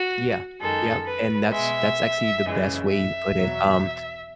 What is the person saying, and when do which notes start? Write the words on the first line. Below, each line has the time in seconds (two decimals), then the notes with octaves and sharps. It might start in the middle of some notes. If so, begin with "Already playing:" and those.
Yeah, yep, and that's that's actually the best way you put it, um,
Already playing: F#4
0.60 F#2 D#3 G#3 A4
1.06 B4
1.52 B2 G#3 E5
2.44 F#2 C#3 E3 G#3
2.89 E5
3.35 E2 B2 F#3